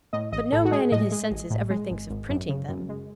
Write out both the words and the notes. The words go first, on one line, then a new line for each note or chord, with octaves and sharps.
But no man in his senses ever thinks of printing them.
A2 D#5
A1 D#5
A2 A4
F#4
G#3 G#4
A2 D#5
G#3
A1
A2
G#3
G#1
G#1
F#2
C#3
F#2
G#3